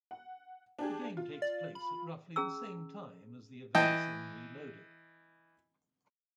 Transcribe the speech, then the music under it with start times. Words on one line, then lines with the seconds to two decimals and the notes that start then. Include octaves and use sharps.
The game takes place at roughly the same time as the events in "Reloaded".
0.11 F#5
0.79 D4 G4 G#4
1.17 F4
1.42 D5
1.75 B5
2.36 C#4 G#4 A#5 E6
3.75 E3 D#5 G5 A5